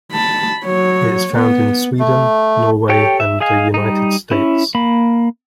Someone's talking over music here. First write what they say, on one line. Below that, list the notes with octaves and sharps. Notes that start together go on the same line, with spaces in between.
It is found in Sweden, Norway, and the United States.
A5 B5
F#3 C#5
B3
A3
G4 A4 C#5 G5
E5
G#4 D#5 F5 G#5
G3 D#4
C#4 E4
A#3 B5